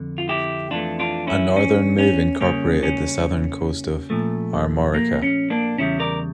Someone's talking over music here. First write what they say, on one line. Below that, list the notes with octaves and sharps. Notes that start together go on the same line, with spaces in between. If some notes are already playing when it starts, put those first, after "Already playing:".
A northern move incorporated the southern coast of Armorica.
Already playing: F2 D3
F4
E4 G4
F2 E3 A3 D4 F4
D4 F4
C#4 E4
C#4
C#4
C#3 G3 A#3 C#4
C#4
A#2 F3 A3
A#3
C#4
A#3 D4
E2 C#3 G3 C#4 E4
A#4 D5